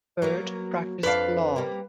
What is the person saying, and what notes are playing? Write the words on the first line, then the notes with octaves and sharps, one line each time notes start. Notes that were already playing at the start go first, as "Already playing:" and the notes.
Bird practiced law.
F#3 A#3 B3
F2 D4 B4 F5
G3 A#3